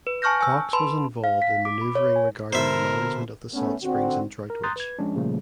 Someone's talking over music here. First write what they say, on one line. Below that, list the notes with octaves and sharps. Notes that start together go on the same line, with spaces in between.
Cocks was involved in manoeuvring regarding the management of the salt springs in Droitwich.
B4
G#5 A5 C#6 F6 G6 A#6
G#5 E6
B4 A5 B5 C6
F5
B6
D6
B5
C#5
G#5
B2 D3 A#4 C5 E5
A3 B3 C#4
D3 C4 F#4
A#4
A#5 C6 D#6 F#6 G6 A6
B4 G#6
F3 G#3 C#4 D4
A#2 C#3 F3 G3 A3 A#3